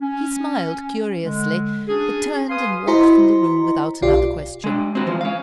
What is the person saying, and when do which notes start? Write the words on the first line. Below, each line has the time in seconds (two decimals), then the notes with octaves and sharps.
He smiled curiously, but turned and walked from the room without another question.
0.01 C#4
1.23 D3 G#3
1.87 C#4 D4 F#4 G#4
2.50 B4 F5 G#5 C6 D#6
2.87 E4 F#4 C5 D#5 A#5 C6
4.02 B1 F4 G4 D5
4.64 G#3 D4
4.95 C4 F#4
5.06 E3 F3 G#3
5.21 C#4 F5